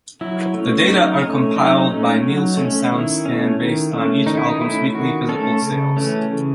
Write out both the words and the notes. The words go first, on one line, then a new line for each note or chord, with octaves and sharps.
The data are compiled by Nielsen Soundscan based on each album's weekly physical sales.
F#3 E4
A3 C#4
F#3 D#4
A3 C#4
F#3 D#4
A3 C#4
F#3
A3 C#4
D#3 E4
A3 C#4
D#3
A3 C#4
D#3 D#4
E4
D#4
A3 C#4 E4
D#3 F#4
A3 C#4 A4
C#3
E3 A3 C#4
C#3